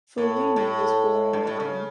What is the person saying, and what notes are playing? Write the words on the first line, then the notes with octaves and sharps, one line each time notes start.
Follini was born in Rome.
A2
A2
G2
A2
C#3